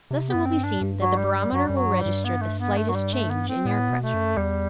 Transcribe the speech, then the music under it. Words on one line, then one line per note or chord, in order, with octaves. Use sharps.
Thus it will be seen that the barometer will register the slightest change in air pressure.
C3
B3
F#2
C4
G2
D4
G2
F#3
G3
G3
F#2 F#3
F#2 G3
F#3
G2
G3
G2
B3
A3
B3
A3
F#3
G3
A3
B3
C4
A2 B3
B2
A3
F#2
E2 G3